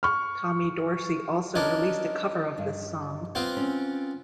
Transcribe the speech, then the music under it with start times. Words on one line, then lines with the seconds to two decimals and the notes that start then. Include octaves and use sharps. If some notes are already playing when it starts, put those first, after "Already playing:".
Tommy Dorsey also released a cover of this song.
0.03 C#6 F6
1.55 C#4 D4 A#4 D#5
2.58 G2
3.35 B3 C4 F4
3.57 C#4